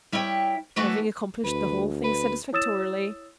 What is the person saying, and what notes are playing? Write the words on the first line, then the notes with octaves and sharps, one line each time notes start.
"Having accomplished the whole thing satisfactorily."
G3 E4 C#5 E5 G5
E3 A3 B3 E4 F#4 A4
D2 B4
B4
E4 C#5 D#6 E6 A6 E7